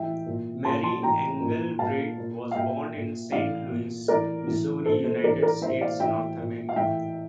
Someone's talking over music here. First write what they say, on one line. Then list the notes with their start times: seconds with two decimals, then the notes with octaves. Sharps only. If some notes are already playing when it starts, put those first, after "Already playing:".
Mary Engelbreit was born in Saint Louis, Missouri, United States, North America.
Already playing: A2 E3 E5 G5
0.26 A#2
0.65 A#2 A5 C6
0.83 A5 C6
1.03 A2 E3 G5 A#5
1.41 A#2
1.79 A#2 F5 A5
2.18 A#2
2.51 F5
2.56 A#2 E5 G5
2.95 A#2
3.32 A2 E3 D5 F5
3.70 A#2
4.08 A2 E3 A#4 D5
4.47 A2 E3
4.85 A#2 A4 C5
5.04 A4 C5
5.23 A2 E3 A#4 D5
5.42 A#4 D5
5.61 A2 C5 E5
5.66 E3
5.81 D5 F5
6.00 A2 E3 E5 G5
6.38 A#2
6.69 F5
6.76 A2 E3 E5 G5